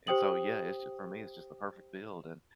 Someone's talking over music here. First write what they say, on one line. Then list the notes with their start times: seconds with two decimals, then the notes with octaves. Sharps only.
and so, yeah, it's just for me, it's just the perfect build. And,
0.07 G4 C5 G5 D#6 F#7